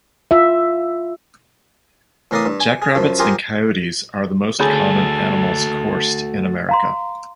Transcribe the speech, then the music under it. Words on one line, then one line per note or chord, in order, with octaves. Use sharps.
Jackrabbits and coyotes are the most common animals coursed in America.
F4 E5
A2 E3 A#4 D5 F5 D#6
G2
G#5
G#4
F#2 F3
F4 G4 G#4 A#4 C5
D2 F#4 G#4 A4 C#5 B5
F5 A#5 C6